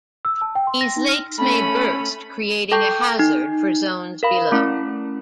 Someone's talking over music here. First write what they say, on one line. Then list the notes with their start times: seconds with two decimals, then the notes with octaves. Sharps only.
These lakes may burst, creating a hazard for zones below.
0.25 E6
0.41 A5
0.55 G5
0.67 C6
0.81 A#6
0.97 D#4
1.09 F6
1.39 A3 C#4 B5
2.71 A4 G5 A5 C#6 G6
3.19 D#4
4.23 A#4 F5 B5
4.52 A3 C#4 E4